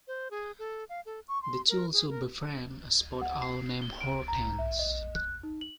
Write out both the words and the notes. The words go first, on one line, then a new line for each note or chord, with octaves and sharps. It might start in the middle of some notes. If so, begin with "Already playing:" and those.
The two also befriend a spotted owl named Hortense.
C5
G#4
A4
F5
A4
C#6
C6
A#4
G#4
A#4
F#5
C7
G7
D7
A#5
E5
D#5
F#6
D#4
F#7